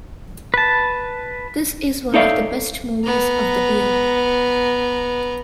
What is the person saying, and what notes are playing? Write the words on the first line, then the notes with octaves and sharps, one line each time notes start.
This is one of the best movies of the year.
B4 A5
D#4 A4 C#5 D5 E5 F5
B3 A#5